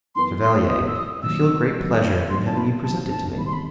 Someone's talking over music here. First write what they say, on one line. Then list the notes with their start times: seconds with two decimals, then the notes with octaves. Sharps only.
Chevalier, I feel great pleasure in having you presented to me!
0.15 F#2 E3 B3 E4 B4 C6
0.42 C6
0.68 F#2 E3 B3 E4 B4 D#6
0.88 E6
0.95 D#6
1.22 D#2 D#3 F#3 C4 E6
1.76 D#2 D#3 F#3 C4
2.29 D#2 D#3 F#3 C4 C6
2.46 A5
2.57 B5
2.83 D#2 D#3 F#3 C4 A5
3.10 A5
3.37 E1 D#2 D#3 G3 C4 B5
3.46 C6
3.53 B5